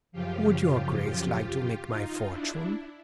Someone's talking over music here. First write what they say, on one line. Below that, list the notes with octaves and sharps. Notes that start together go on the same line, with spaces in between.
"Would your Grace like to make my fortune?".
F#2 C#3 F3 F4 G4
D#4 F4
D4 E4